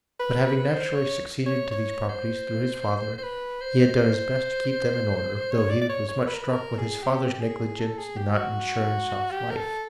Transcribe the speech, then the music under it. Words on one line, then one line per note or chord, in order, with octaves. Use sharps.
But having naturally succeeded to these properties through his father, he had done his best to keep them in order, though he was much struck with his father's negligence in not insuring South's life.
B4
B4
C5
C#5
C#5
C#5
C5
C5
B4
C5
C#5
D5
D5
C#5
C#5
B4
A#4
B4
A#4
G#4
G4
G#4
A4
G#4
G4
F#4
G4
A#4
A4